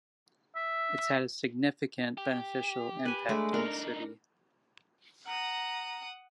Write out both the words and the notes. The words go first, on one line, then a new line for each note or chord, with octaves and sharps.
It's had a significant, beneficial impact on the city.
E5
G4
B4 G#5
G#3 A3 D4
D4 D#4 A#4
F#5 A#5 D#6